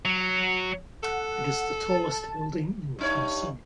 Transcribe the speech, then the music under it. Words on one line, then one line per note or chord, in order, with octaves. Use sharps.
It is the tallest building in Tamsui.
F#3
A4 F#5
A5
G2 D#4 C#5